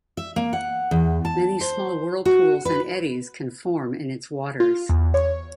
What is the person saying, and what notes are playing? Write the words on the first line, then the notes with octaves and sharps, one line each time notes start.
Many small whirlpools and eddies can form in its waters.
E5
A#3
F#5
E2
A5
C5
F#4
B4
F4
E2
C#5